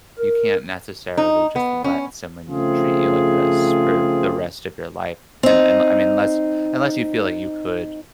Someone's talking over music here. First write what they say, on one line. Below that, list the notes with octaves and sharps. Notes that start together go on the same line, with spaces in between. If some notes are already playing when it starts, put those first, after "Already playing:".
you can't necessarily just let someone treat you like this for the rest of your life. And and, I mean, less unless you feel like you could
A#4
D#4
B3
C#4
C#3 F3 A3 C4 F4 G#4
C4 D#4